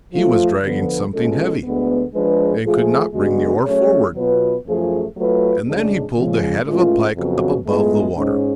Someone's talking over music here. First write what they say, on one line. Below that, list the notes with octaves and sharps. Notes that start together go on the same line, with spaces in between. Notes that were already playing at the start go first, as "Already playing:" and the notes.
He was dragging something heavy, and could not bring the oar forward; and then he pulled the head of a pike up above the water.
F3 A3 F4
D3 F3 B3
B2 G#3 C#4 F4 A4
D2 D3 G#3 B3
F3 G#3 D4 G#4 B4
F3 A3 F4 G#4
C#3 G#3 B3 D4 F#4
F#3 A3 C#4 G#4 C#5
B2 F#3 B3 F4 B4
F#2 F3 A3 F4 G#4
F#3 A3 F4 B4
F2 C#3 G#3 D4
C#3 F3 G#3
A2 G#3 C#4 F4 B4
F2 C#3 F#3 B3 F#4
A2 G#3 B3 F4 G#4
G#2 G#3 C#4